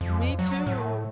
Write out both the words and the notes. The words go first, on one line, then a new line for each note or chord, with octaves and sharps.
Me too.
F2
F#3
A2